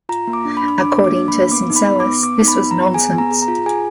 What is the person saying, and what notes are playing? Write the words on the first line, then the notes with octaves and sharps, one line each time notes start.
According to Syncellus this was nonsense.
F4 A#5
A#3
D6
D4
B5
D4
D4 D6
A#3
D6
D4
B5
A#3
B3 D6
D#4
B5
B3
D6
B3
B3 D6
D#4
B5
B3
A#5
B3
G#4 G#5
B3
A#5
G#4
A#5
F4
G#4 G#5